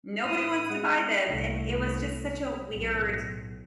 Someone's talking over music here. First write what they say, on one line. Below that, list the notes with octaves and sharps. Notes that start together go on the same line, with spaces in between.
nobody wants to buy them," and it was just such a weird
A2 B4 D#6 D#7
G#3 F#5
C2 A3
B1 A2